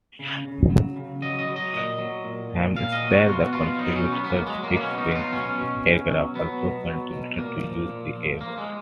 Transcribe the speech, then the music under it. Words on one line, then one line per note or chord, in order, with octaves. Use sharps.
Hampshire Constabulary's fixed wing aircraft also continued to use the airfield.
C#3
C#3
F#3
C#3
F#3 D#5
D#5
F#3
D#5
A#2 D#5
F#3
A#2
A#2
A#2 F5
D#5
F#3
F#4
B2 F4
F#4
B2 F4
F#3 D#4
C#4
F#3
B3
B3
F#3 A#3
G#3
F#3
A#3
B3
B2 C#4
D#4
F#3 F#4
F4
B2 C#4
B2
B2
F#3
F#3 B3
B2
F#3
B2
A#2 A#3
F3
A#2
F3
F3 A#3
G#3